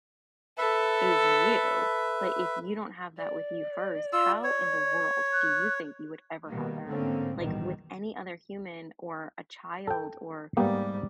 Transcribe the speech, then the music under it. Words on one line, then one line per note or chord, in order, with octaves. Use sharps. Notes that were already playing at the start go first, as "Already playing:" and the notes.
is you. But if you don't have that with you first, how in the world do you think you would ever have that like, with any other human or a child? Or,
A4 B4 E5
D5
F4 E6
C#5
F#6
B2 D#3 G3 A#3
G#2 D3 A3 A#3 C4 C#4
A#1 E2 G#2 B2 D#3 G3
A4 G5
G#2 G3 A#3 B3 G4